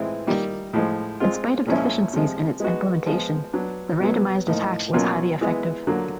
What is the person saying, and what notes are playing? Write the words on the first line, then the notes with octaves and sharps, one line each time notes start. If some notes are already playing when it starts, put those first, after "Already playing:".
In spite of deficiencies in its implementation, the randomized attack was highly effective.
Already playing: A2 E3 G#3 C4 E4
D#3 G3 A#3
A2 F3 G#3
G#3 C4 F4
A#2 F3 G#3 C#4 E4
C3 F3 G#3
G#3 B3 D#4 F#4
F3 G#3 B3
F#3 B3 D4
B2 F#3 B3
A2 F3 A#3 D#4
B2 F#3 A#3 C#4 F4
E3 G#3 B3
D3 F#3 A#3